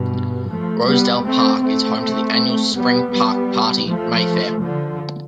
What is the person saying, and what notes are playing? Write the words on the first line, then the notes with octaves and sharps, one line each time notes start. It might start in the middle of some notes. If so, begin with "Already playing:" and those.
Rosedale Park is home to the annual spring park party, Mayfair.
Already playing: G2 B2
F3 A3
G3 B3
A3 C4
A3 C4
G3 B3
G3 B3
F3 A3
D3 F3